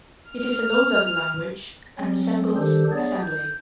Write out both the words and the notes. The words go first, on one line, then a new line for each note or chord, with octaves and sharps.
It is a low level language and resembles assembly.
F6
F#3 C4 C#4
D#3 G3 D4 G4 A4 C5
B3 D4 G#4 C#5 D5
G6